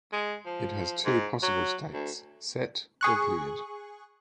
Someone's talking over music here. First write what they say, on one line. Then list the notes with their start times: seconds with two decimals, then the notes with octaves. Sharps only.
It has two possible states, "set" or "cleared".
0.13 G#3
0.46 F3
1.05 G#2
1.43 F#3
1.93 D2
3.01 G#4 C#6 F#6